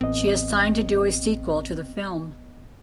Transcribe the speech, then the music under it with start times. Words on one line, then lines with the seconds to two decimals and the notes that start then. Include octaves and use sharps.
She has signed to do a sequel to the film.
0.01 A1 B3 C4 D#5